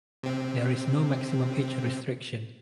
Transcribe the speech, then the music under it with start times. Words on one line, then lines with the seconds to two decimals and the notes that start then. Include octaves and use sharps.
There is no maximum age restriction.
0.23 C3 C4